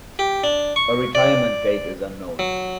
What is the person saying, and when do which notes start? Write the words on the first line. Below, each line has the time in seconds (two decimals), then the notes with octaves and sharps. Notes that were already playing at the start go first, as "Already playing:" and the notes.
A retirement date is unknown.
0.19 G4
0.44 D4
0.76 C#6
1.15 D5
2.39 F#3